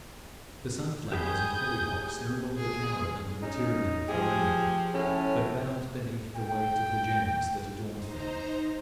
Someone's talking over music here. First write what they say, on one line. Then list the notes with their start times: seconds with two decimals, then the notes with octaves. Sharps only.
The sunflowers and hollyhocks no longer cowered under the tyranny of the rain, but bowed beneath the weight of the gems that adorned them.
1.12 G4 G#4 G#5 B5 D#6 G6
2.57 G#4
3.42 C#4 D#4
4.08 F3 G4 G#4
4.94 A2 C#4
6.36 G5
7.92 D#4 C5 A#5